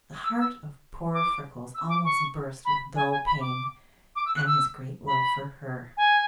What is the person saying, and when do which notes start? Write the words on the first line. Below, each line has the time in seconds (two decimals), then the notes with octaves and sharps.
The heart of poor Freckles almost burst with dull pain and his great love for her.
0.24 E6
0.40 E6
1.14 D6
1.75 E6
1.89 D6
2.05 C#6
2.65 B5
2.96 G#5
3.11 G#5
3.26 B5
3.41 D6
4.16 D6
4.26 E6
4.36 F#6
4.46 E6
5.07 B5
5.97 G#5